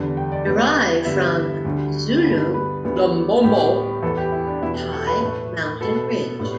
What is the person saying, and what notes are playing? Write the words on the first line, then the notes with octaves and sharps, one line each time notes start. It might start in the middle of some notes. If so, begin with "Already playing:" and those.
Derived from Zulu Lumbombo, 'high mountain ridge'.
Already playing: E2 D3 G3
G5
D5
E2 E3 G3 B3
G2 D3 G3 B3 E5
D2 D3 G3
G2 D3 G3 B3
B4
D2 D3 G3 B3
A2 G3 B3 G4
E2 E3 B3 A4
G4
E4
D4
E2 B2 A3 E4
G4
A4
B4
A2 A3 B4
B2 B3 A4
A2 G3 B3